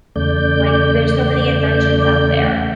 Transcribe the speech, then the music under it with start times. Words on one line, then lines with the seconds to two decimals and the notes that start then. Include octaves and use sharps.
Like, there's so many inventions out there.
0.16 E2 C#3 A3 D5 G6